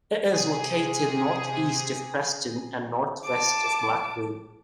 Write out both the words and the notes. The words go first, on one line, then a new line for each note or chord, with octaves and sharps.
It is located north-east of Preston and north-west of Blackburn.
C3 G#4
A5 D6